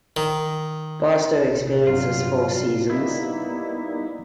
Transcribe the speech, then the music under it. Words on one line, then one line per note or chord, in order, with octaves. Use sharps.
Barstow experiences four seasons.
D#3
A#1 C3
G2 F#3 G3 F4
G3 A#3 B3 D#4 E4